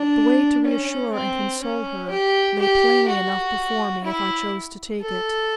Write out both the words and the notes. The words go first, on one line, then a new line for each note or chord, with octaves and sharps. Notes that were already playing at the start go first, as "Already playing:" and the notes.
The way to reassure and console her lay plainly enough before me, if I chose to take it.
Already playing: D4
C#4
C4
C#4
G4
G4
F#4
E4
A4